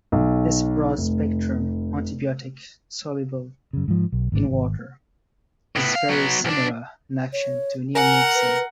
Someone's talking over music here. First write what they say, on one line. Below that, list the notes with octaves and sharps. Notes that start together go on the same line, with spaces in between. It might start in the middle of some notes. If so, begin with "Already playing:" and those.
This broad-spectrum antibiotic soluble in water, is very similar in action to neomycin.
B1
F1
F#2 C#3
G#2 F3
B1
G#1 A2 D#3 D4
G#1
A2 B3
F5
F#3 B3
B1 D4
C#5
A#4 F#5 G#5
B4